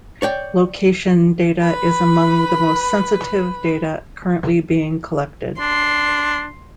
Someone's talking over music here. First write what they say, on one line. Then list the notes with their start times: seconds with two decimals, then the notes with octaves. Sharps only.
Location data is among the most sensitive data currently being collected.
0.22 C#5 D5 G5
1.62 B4 B5
5.60 D4 C6